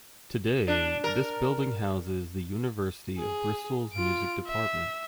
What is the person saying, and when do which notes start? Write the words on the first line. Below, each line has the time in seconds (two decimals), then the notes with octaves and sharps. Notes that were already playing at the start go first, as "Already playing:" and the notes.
Today this building houses the University of Bristol's music department.
0.68 D4
1.04 A#4
3.19 G#4
3.93 F4 D7
4.48 E5